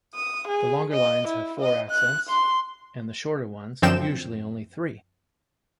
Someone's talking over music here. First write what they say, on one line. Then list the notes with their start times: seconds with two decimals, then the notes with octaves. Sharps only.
The longer lines have four accents and the shorter ones usually only three.
0.15 D#6
0.48 G#4
0.93 D#5
1.28 E4
1.60 D#5
1.91 F#6
2.29 C6
3.82 F#2 D3 F3 C4 G5 E7